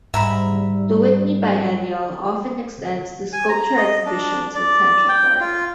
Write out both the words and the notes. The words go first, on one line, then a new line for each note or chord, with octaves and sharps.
The Whitney Biennial often extends to sculpture exhibitions in Central Park.
G#2 G3 E5 A#5 B5
G#5
A#5
D#5
D4
D5
G5
F4